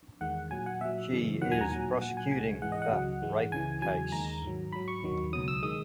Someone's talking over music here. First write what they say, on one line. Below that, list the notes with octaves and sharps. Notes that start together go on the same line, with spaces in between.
She is prosecuting the rape case.
E2 D#3 G#3 F#5
A#2 F#3 G#5
F#5
A#2 F#3 E5
F#2 C#3 E3 G#3
D#2 D#3 F#3 F#5
G#5
A#5
A#2 F#3 G#5
A#2 F#3 F#5
G#5
C#2 B2 G#3 G#5
G#2 E3 G#3 F#5
D#5
F#5
C#2 C#3 F#3
G#2 E3 G#3
C#2 C#3 E3 G#5
E2 C#3 F#3 G#5
D#2 D#3 G#3 A#5
G#2 D#3 F#3
G#2 F#3 B5
C#6
D#2 D#3 F#3
C#2 B2 F#3 D#6
E6
D#3 G#3 D#6